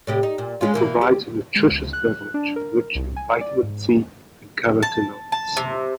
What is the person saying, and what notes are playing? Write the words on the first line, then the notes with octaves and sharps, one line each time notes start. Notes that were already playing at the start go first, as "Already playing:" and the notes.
It provides a nutritious beverage, rich in vitamin C and carotenoids.
A2 C3 G4
D#4
A#2
G#3 C#4 F4
B2 E3 A#3
G4
G#3
C#2
F#6
D4
A#4
C2
G#5
D5
G#2
A5
A5
C3